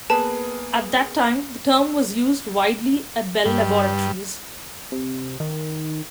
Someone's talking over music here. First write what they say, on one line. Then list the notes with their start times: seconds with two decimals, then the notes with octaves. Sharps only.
At that time, the term was used widely at Bell Laboratories.
0.10 A#3 B3 G#4 B4 A5
3.45 G2
4.92 C3
5.40 D#3